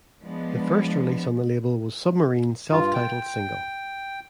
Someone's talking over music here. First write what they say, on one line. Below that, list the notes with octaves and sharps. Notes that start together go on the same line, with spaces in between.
The first release on the label was Submarine's self-titled single.
F3 G#3 B3 D4
G2 F4
G5